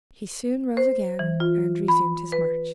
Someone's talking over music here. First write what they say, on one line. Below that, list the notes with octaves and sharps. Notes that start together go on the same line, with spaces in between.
He soon rose again and resumed his march.
C5
E3
F4
B5
B4